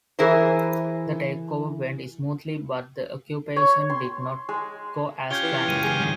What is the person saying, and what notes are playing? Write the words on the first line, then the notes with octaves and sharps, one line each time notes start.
The takeover went smoothly, but the occupation did not go as planned.
E3 E4 G#4 A#4 C5
C#5
C6
G#3
C#4 F4 G4 G6 G#6 G7
E3
C#2 F#2 D#7
G#4
G#2 D#3